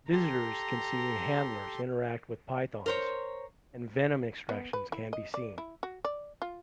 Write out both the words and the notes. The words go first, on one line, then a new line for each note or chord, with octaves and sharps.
Visitors can see handlers interact with pythons, and venom extractions can be seen.
G4 A4 A#5 C6
A#4 C5 C#5
B3
B4
E4
D#5
D5
E4
F#4
D5
F4